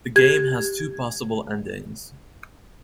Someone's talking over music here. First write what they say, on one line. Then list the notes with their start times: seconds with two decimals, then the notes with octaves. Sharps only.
The game has two possible endings.
0.16 G4 G#6